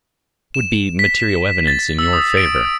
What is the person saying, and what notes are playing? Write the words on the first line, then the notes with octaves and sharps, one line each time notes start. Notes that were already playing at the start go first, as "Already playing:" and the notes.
It would be material evidence in your favor.
E7
B6
A6
E6
D#6
D7